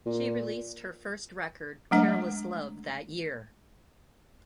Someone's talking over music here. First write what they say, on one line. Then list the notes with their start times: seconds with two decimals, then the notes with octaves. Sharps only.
She released her first record "Careless Love" that year.
0.06 A#2
1.91 F#3 G#3 A3 D4